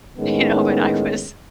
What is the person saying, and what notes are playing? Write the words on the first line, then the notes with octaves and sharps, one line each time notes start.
you know, but, I was
A2 D#3 G#3 B3 C#4 D#4